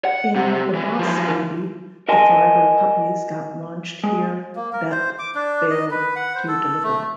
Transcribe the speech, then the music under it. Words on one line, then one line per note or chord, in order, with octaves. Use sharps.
In The Boss Baby, the Forever puppies got launched here bet failed to deliver.
F#5
C3
E3
E3 F3
A#4 D#5 G#5 A5 C6
G#3
A#3
A#4
C5
D6
D4
D#5
B4
F#5
C5
A4
A3